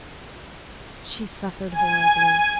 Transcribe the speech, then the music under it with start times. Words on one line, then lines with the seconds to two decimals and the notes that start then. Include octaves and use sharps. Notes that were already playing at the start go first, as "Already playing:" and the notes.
She suffered horribly.
1.71 G#5